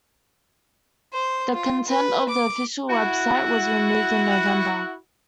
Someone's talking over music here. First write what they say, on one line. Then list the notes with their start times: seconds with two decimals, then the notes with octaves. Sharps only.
The content of the official website was removed in November.
1.13 C5
1.54 F4
1.88 B4
2.29 D6
2.90 E4 F#4 F#5